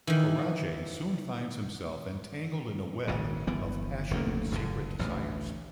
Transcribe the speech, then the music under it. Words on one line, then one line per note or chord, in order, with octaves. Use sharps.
Coraje soon finds himself entangled in a web of passion and secret desires.
D#3 E3
G#1 A#2 C#3
G1 E3 B3
F1 D2 A3 A#3
F#1 G2 A#2 D3
A1 D2 B2